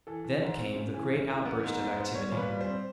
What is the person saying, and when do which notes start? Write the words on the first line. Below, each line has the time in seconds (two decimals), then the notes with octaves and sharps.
Then came the great outburst of activity.
0.07 E3 A4
0.24 E3
0.41 G#2
0.59 C4
0.76 C#3
0.94 E3
1.11 C#3
1.28 E3
1.45 B3 A#4
1.63 G#2
1.80 G#2
1.91 C5
1.97 B3
2.14 G3 C#5
2.32 A#2
2.37 B4
2.48 G3
2.61 C5
2.66 C4